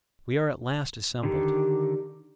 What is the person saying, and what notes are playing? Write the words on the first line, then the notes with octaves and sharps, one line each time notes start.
We are at last assembled.
D3 D#3 G4